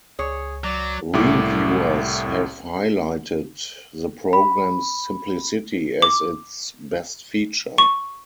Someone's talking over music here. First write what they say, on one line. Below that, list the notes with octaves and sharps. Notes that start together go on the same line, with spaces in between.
Reviewers have highlighted the program's simplicity as its best feature.
C#2 G#4 C#5
F#3 D5
C2 A2 D6
B5
D6
C#6